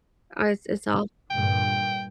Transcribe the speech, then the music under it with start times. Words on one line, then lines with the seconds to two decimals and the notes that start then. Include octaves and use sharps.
Uh, it's it's all
1.30 G2 A#2 D3 G5